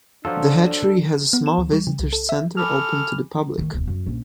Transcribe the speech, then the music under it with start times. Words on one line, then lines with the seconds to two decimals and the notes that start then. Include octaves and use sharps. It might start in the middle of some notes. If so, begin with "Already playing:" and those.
The hatchery has a small visitors' center, open to the public.
0.25 F3 F#3 D4 F4 A4
1.33 B3
1.46 E7
1.58 D2
1.73 G3
1.87 C#3
2.00 C2
2.13 A4
2.29 E5
2.57 A4 G#5 B5 D6 F6
3.58 D#3 A3
3.74 E1 D2
3.87 F#2
4.06 A#1 C#4